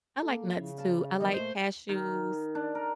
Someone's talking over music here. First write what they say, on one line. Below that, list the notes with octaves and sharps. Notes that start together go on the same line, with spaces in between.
I like nuts, too. I like cashews
A#3 A4
C#3 F3 C#4 E4
D5 F5 A5
D#3 F#3 B3 D#5
A#2 A3 C5
D#3
D4
A#4